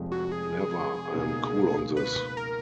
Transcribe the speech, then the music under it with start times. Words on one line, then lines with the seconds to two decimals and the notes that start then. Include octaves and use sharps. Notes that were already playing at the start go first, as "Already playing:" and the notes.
Never, I am cool on this.
Already playing: F1 F2 F3 G#3
0.12 F#4
0.32 G#4
1.13 C#2 B2 A#3 D#4
1.97 B4
2.37 A#4